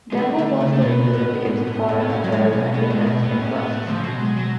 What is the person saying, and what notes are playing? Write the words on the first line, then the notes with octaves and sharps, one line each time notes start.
Denmark was to represent its foreign affairs and defense interests.
G#3
D3 A3
D3
C#3
A3
B2 B3
A2
G#2
A2
A2
B3
A2 C#4
F#3
G#3
B2
B2 B3
A2 G#3
B2 A3
A2 B3
A2 C#4
B3
A3
D3 F3
C#3
B2 F#3
G#3
F#3